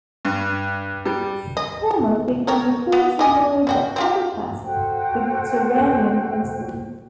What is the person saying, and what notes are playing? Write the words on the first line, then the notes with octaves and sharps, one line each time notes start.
Homer frequently calls him by the epithet the Gerenian horseman.
G2
G3
D#5
A4 A#4 C#5
B3
G3 D#5 G#5
C#4 F#4 G5
C4 F4 G4
F#4 A4 C5 G5